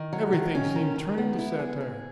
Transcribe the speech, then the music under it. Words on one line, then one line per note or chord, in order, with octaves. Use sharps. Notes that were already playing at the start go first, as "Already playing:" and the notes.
Everything seemed turning to satire.
Already playing: D#3
F#3
D#3
C#4
D#3
D#3
B3
E4
G#4
G#4